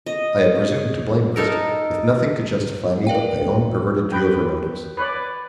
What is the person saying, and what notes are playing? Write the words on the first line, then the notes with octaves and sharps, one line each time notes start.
I had presumed to blame Cristel, with nothing to justify me but my own perverted view of her motives.
D#5
D#4 A4 A#4
A#4 D5 F5 G5
B4 G5
B4 C#5 D5